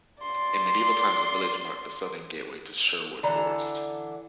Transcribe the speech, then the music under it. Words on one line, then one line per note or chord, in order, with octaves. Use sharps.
In medieval times the village marked the southern gateway to Sherwood Forest.
D5 C6
D3 E3 D4 A#5